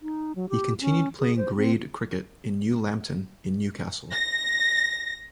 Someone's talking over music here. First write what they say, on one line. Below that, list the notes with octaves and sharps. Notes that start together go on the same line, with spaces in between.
He continued playing grade cricket with New Lambton in Newcastle.
D#4
F#3
G4
C#4
G#4
C5
C4
A#6